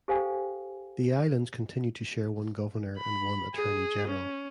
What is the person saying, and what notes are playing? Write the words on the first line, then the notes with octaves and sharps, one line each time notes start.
The islands continued to share one Governor and one Attorney-General.
G4 A4 C5 F5 G5 G#5
B5
G#4
C#4